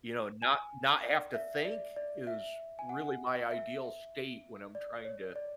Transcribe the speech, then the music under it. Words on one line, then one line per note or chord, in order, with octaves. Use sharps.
You know, not not have to think is really my ideal state when I'm trying to,
G#5
D5
E5
D5
D5
E5
G#5
F#5
E5
D5
C#5
D5